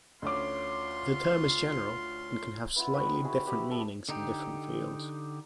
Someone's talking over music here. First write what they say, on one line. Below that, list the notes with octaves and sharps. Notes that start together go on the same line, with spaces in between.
The term is general and can have slightly different meanings in different fields.
D2 C#4 F4 C6 D6
B3 E4 F4 F#5
C4 C#4 D#4 B4
D#4
E4 F#4 G#4
F#4 G4 E5 D6
A4 D#6
D3 D#4 G4